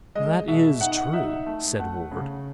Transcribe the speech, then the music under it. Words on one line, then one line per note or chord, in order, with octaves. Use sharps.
"That is true," said Ward.
G#3 D#5
B2 E5
D#4 F#5
D#4 E5
A3
A3 F#5
C#3